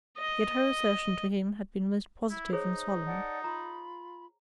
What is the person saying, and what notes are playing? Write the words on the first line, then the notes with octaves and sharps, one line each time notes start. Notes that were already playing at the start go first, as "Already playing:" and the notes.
Yet her assertion to him had been most positive and solemn.
D#5
E4
D#4 G#4 C5 C#5
D5 F#5 A5
F4 A#5 B5